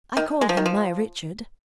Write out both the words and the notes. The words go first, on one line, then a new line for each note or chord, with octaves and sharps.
I call him my Richard!
D#3
G#3
F3
D#3
F3